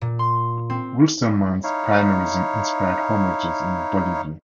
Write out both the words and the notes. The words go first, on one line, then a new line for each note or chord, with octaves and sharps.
Wilstermann's pioneerism inspired homages in Bolivia.
A#2
C6
C4
D#4 E4 C#5 F5